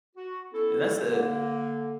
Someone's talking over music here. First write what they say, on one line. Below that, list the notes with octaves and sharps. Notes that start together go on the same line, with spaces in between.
and that's a
F#4
B3 C#4 E4 A4
D3 A#3